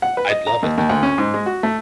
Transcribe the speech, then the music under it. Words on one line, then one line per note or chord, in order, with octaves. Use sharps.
I'd love it.
F#5
B4
D#5
A#5
D#2
D#2
D2
C#4
G#2
G#3
F#4
A3